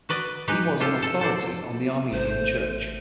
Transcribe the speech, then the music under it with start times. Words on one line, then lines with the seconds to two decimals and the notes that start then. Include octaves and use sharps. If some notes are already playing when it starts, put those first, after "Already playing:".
He was an authority on the Armenian Church.
0.09 F#4 B4 D5 D#5
0.48 G#3 D#4 G4 B4
0.80 F4 G4 A4
1.02 A4
1.21 A4 C5 D5
2.12 A1 A3 C5